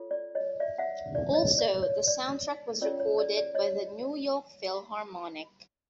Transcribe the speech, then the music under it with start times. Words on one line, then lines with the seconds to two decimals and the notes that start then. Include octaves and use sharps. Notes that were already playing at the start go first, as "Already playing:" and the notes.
Also, the soundtrack was recorded by the New York Philharmonic.
Already playing: F4 A4 C#5
0.11 D5
0.35 C#5 D#5
0.60 D5 E5
0.78 E5 F#5
1.15 D5
1.33 C#5 D#5
1.59 D5
1.82 C#5
2.08 D5
2.82 C#4 F4 A#4 C#5 D5
3.00 C#5
3.19 D5
3.37 D5
3.55 C#5 D#5